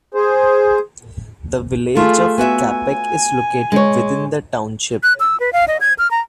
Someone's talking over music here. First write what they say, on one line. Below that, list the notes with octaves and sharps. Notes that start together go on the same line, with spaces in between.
The village of Capac is located within the township.
G#4 C5
A3 F4 G#4 A4
B3 F#4 E5 G#5
G#5
G#3 C#5
F#6
E6
B4
F5
D#5
G#6
F6
A#5